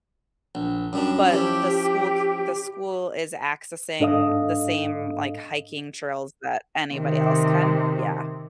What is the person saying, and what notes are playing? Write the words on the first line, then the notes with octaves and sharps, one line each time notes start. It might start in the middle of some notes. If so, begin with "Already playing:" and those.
but the school c the school is accessing the same, like, hiking trails that anybody else can. Yeah.
A#1
F#2 G3 D4
F3 C#4 E4 G4
G#2 D4 A4 D#5 F5 D#6
C3 D#3